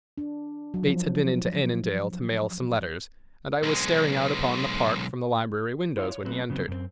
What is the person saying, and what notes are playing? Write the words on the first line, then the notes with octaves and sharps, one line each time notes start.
Bates had been into Annandale to mail some letters, and I was staring out upon the park from the library windows when he entered.
D4
F#3
F3
B1 G#3
E4 F4 C#5 D5 F5
C#5
F#3 A3 C4 B4
C#3 F#3 B3 C4
F#2 C4